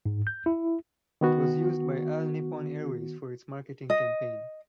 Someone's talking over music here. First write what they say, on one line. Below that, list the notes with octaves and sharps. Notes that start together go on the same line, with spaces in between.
It was used by All Nippon Airways for its marketing campaign.
G#2
G6
E4
D#3 B3 F#4
D#5